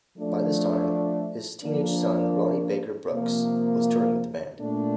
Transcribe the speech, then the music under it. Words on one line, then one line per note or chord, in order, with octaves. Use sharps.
By this time, his teenage son Ronnie Baker Brooks was touring with the band.
F3 A3 D4
F3 A#3 D4
C3 F3 A#3
A#2 A3 D4